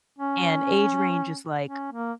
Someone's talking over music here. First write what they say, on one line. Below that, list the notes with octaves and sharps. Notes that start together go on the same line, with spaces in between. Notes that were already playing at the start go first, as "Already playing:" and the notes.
and age range is, like,
C#4
C#4
A#3